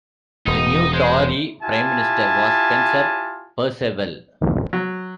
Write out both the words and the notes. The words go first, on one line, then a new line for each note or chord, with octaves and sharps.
The new Tory Prime Minister was Spencer Perceval.
E1 D#4 D#6
G#3 C5
E4 F4 G4 G#5 A5
F#3